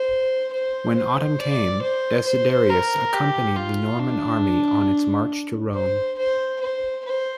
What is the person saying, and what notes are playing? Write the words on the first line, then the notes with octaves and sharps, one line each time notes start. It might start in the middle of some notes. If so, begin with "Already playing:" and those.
When autumn came, Desiderius accompanied the Norman army on its march to Rome.
Already playing: C5
C5
C5
D5
C5
C5
A#4
G4
F4
D4
C5
C5
C5
C5